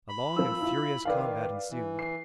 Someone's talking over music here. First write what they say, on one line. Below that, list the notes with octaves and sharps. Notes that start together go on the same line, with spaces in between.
A long and furious combat ensued.
B5
F3 F4 E6
E4 F4
D#3 B4 D5 F5
E3
C7